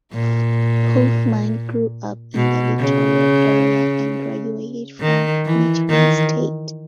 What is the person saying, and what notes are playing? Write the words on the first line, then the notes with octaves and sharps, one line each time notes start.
Hoffman grew up in the Detroit area and graduated from Michigan State.
A#2
B2
C#3
D#3
E3
D#3